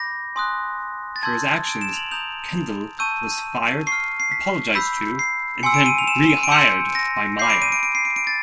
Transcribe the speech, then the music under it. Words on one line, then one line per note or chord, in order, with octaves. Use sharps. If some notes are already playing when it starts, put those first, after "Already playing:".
For his actions, Kendall was fired, apologized to, and then rehired by Meyer.
Already playing: B5 D6 G6 A#6
G#5 C6 D#6 F#6
A6
A5 C6 E6 G6 G#6
D7
E7
F7
F#7
A#5 D#6 G6 F7
A5 C#6 E6 G6 D#7
C#6 C7
F6
C7
B6
B5 E6 G6 B6
C7
G#5 C6 E6 C#7
D7
D#7
F7
E7
D#7
D7
C6 E6 G6 C#7
A#6
B5 D6 G6 C7
D7
D#7
D7
D7
C7
D7
D7
A6